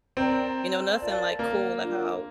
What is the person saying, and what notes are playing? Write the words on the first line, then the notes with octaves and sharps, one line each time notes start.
you know, nothing like cool, like how,
C4 A#4 D5 G5 A#5
F4 A#4 D5 A5
A#3
D4 F4 A#4